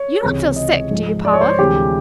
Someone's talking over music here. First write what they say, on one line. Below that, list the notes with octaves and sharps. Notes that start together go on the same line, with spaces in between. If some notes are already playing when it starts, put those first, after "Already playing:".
"You don't feel sick; do you, Paula?"
Already playing: C#5
C#2 C3 E3 G#3
D#5
G#2 F3 G#3
D5
C#5
C5
D2 C3 E3 G#3 G4